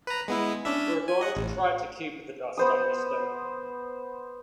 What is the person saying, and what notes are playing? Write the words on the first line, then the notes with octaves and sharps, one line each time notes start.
We’re going to try to keep the dust on this thing.
B4 A#5
G#3 B3 E4
C#4 D4 E5
G#5
D#5 F#5
A1
B3 C5 D#6